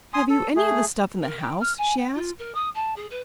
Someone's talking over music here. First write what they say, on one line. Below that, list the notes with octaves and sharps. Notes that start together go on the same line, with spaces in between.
"Have you any of the stuff in the house?" she asked.
G#5 C6 D#6
A4
A3 G#4
A#4
G5
F6
G#5
G5
F4
A#4
D#6
A5
G#4
B4